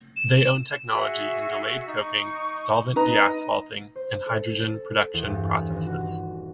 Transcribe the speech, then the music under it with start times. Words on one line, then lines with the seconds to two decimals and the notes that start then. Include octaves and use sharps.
They own technology in delayed coking, solvent de-asphalting, and hydrogen production processes.
0.17 E7
0.93 F#4 G#4 E5
1.87 D#4 C#6
2.96 D#4 B4 D#5 A#5
3.96 C5
4.26 A4
4.59 A4
5.14 E2
5.27 G2
5.70 D#1
5.86 F#4